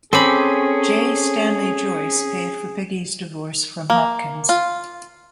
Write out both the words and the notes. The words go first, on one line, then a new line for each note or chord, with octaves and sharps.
J. Stanley Joyce paid for Peggy's divorce from Hopkins.
C4 C#4 G#4 A4 G#5 B5 D6
A#3
F4